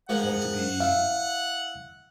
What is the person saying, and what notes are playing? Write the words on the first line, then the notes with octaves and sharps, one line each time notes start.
going to be
D#3 F3 G#3 F#5
E4 F5